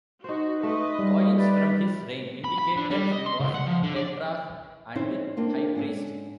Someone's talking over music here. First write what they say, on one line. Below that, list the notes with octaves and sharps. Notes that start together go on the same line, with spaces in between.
Coins from his reign indicate that he was "tetrarch and high priest".
D#4 F#4 C5
A3 B4 D#5
G3 F4
G4 B4 D5 E5
B5
B5
D3
G3
D#5
C6
C#2
F#5
F3
D3
D5
C4 C#4 D#4 E4 C5
A#3 C4 D4 F4
G#2 C#4 D4 A4